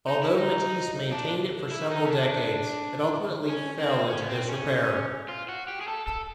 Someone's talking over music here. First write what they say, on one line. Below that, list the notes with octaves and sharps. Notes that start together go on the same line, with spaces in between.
Although Matisse maintained it for several decades, it ultimately fell into disrepair.
D#4
E4
D#4
D4
E4
D#4
C#4
D4
C#4
C4
C#4
B3
C4
C#4
F4
F#4
G4
G#4
A4
A4